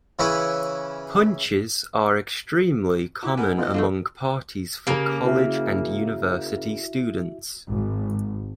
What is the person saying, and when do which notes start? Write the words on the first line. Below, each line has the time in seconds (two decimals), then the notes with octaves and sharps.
Punches are extremely common among parties for college and university students.
0.19 C#3 E3 E4 B4 C#5
3.23 E4 F#4 D6
3.37 D#4 A#4 B4 F#5 G#5
3.58 B3 E4 F4 D#5
3.74 D3 F3 A3 F5
4.87 C#3 A#3 G4
5.24 E4 F#4 E5
7.68 G#1